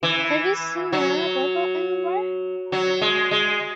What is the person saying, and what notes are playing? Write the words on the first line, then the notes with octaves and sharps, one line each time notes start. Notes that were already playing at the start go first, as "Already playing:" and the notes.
Have you seen my water bottle anywhere?
E3
F#3
F#3
G#3
G#3